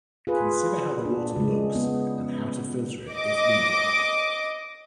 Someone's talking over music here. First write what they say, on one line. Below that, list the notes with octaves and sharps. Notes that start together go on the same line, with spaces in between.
Consider how the water looks and how to filter it if needed.
F4 G#4 B4
D4
C#3 G#3
B3
D#5 D6